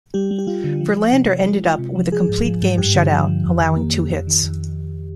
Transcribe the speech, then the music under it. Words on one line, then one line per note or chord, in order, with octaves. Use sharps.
Verlander ended up with a complete game shutout allowing two hits.
G3 G4
G3
G4
G3 F4
D3
F3
F3
C3
F3
G#3
G#3
C3
F3
F3 G#4
G#2
F3
G#2
G2 G4
D3
F3
F3
F2
D#3
A#3
F2
F2
D#3
F2